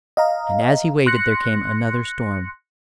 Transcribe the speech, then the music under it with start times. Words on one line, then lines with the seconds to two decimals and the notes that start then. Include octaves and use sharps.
And as he waited, there came another storm.
0.17 D#5 F5 A#5
1.06 C6 F#6 A#6 C#7